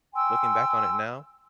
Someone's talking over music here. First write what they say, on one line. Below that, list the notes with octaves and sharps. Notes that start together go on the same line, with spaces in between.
looking back on it now
G5 G#5 C6 E6